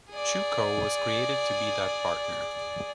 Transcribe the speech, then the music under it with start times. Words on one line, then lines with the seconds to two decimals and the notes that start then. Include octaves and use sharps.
Chewco was created to be that partner.
0.11 G#4 D5